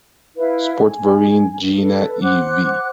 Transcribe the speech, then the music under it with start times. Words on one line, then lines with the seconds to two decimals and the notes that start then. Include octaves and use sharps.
Sportverein Jena e.V.
0.37 E4 B4 F5
0.86 G#5
1.80 A4 B4
2.23 C5 F#5 D6 F#6